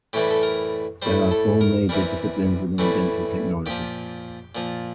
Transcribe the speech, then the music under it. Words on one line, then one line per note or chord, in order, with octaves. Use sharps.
There are four major disciplines within dental technology.
A2 E3 G3 G4
A4
A#4
A2 G3 C5
A4
A#4
C3 E3 G3 A#4
A2 E3 G3
A#2 F3 G4
A#2 F3